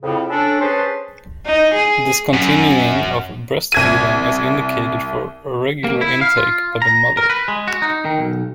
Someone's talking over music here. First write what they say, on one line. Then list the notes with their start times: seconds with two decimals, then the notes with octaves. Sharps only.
Discontinuing of breast-feeding is indicated for regular intake by the mother.
0.03 F2 A2 C#3
0.30 C#4 D4 A4
0.60 C#4 G#4 B4 C5 A5 C6
1.46 D#4
1.74 G#4
2.33 F#2
3.72 C2 G#6 D#7
5.84 A#3
6.01 E4
6.21 F5
6.37 F4
6.82 A#5
7.17 A#4
7.30 B4
7.48 G#3
7.68 F#4
7.82 D#4
8.05 D#3
8.19 B1